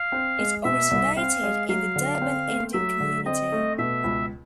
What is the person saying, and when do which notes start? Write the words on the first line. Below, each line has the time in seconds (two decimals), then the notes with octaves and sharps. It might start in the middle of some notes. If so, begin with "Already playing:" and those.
It originated in the Durban Indian community.
Already playing: F5
0.12 C4
0.39 G#3
0.65 B2 E5
0.91 C2
1.17 C4 F5
1.44 G#3
1.69 F#3 F5
1.96 D3
2.22 C4
2.48 A3
2.73 F#3 E5
3.00 D3
3.26 C4 D#5
3.52 A3
3.78 B2 E5
4.04 C#2